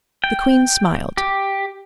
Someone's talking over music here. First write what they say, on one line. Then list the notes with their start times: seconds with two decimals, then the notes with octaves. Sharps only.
The queen smiled.
0.24 G5
1.17 G4